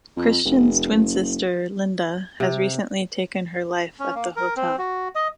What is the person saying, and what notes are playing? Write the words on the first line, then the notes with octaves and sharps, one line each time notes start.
Christian's twin sister, Linda, has recently taken her life at the hotel.
F2
F1
F#1
C3
C#4
A#3
A#4
C4
F#4
D#5